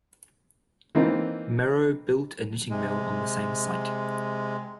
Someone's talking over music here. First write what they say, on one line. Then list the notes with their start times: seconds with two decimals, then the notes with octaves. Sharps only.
Merrow built a knitting mill on the same site.
0.95 E3 A#3 C4 D#4 F4
2.70 C3 G#3